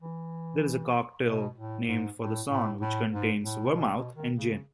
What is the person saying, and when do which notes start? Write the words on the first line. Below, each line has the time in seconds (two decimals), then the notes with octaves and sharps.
There is a cocktail named for the song, which contains vermouth and gin.
0.02 E3
1.26 B2
1.58 A2
1.88 G#2
2.19 A2
2.50 A2
2.81 A2
3.12 G#2
3.44 A2
3.66 C#3
3.74 B2
3.95 B2
4.16 D#3
4.36 C#3